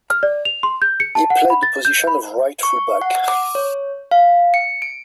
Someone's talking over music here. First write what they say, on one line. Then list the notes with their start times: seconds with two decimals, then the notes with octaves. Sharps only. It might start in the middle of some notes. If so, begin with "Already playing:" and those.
He played the position of right full back.
0.10 F6
0.23 D5
0.45 F7
0.63 C6
0.82 G6
1.00 C#7
1.15 A5
1.30 F#5
1.50 B5
1.63 A6
1.85 G6
2.07 B5
2.63 C#6
3.02 F#5
3.28 D6
3.55 C#5
4.11 F5
4.54 C#7
4.82 D7